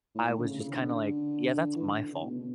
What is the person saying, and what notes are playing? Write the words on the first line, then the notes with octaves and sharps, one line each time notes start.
I was just kinda like, "Yeah, that's my fault."
A2
A2
D3
C#3
C#3
D3
E3
D3
D3
C#3
A2
B2
B2